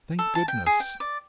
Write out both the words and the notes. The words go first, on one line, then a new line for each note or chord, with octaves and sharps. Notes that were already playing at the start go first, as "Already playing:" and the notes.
Thank goodness!
A4
A5
G5
G#4
G5
D5